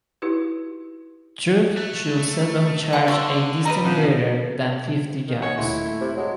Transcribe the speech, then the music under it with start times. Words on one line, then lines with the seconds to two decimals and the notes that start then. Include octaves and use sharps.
Troops should seldom charge a distance greater than fifty yards.
0.22 D#4 E4 F#4 G4 B4
1.77 A3 F#6
2.93 F3 B3 B4 F5 F#5 G#5
3.08 D3 G3 C4 A5 C#6 E6
3.65 D2 G3 B4 D#5 A#5
3.85 B2 C4 C#4 F4
5.28 D#3
5.42 C#5 D#5 F#5 G#5
5.58 D#1 A3 E4 C6
5.85 A3
6.01 C3
6.16 F#3 G#3